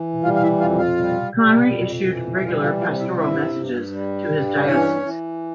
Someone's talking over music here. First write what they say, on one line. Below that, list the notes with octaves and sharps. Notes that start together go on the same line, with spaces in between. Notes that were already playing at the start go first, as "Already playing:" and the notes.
Conry issued regular pastoral messages to his diocese.
Already playing: E3
G3 F4 F5
F5
E4 E5
F2 F4 F5
F4 F5
G3
G3
F2
E3
E5
G3 F4 F5
F4 F5
C3 F4 F5
E4 E5
G2 E4 E5
G2
G3
G2
E3 C#4 C#5
E3